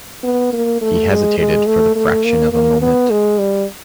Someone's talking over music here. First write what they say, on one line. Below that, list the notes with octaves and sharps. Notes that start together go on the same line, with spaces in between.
He hesitated for the fraction of a moment.
B3
A#3
A3
G#3
G#3
A3
A3
A#3
A#3
B3
G#3
G3